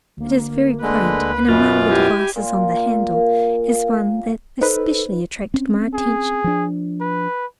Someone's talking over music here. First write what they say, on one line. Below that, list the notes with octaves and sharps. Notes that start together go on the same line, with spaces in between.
It is very quaint; and among the devices on the handle is one that especially attracted my attention.
D2 A#3
D3 G#3 B4
F#2 B2 F4
E4 G4 G#5
A#2
A#4 F5
D#4 A4 B4 C5
C4 C#4
G#4
F3 D4
B4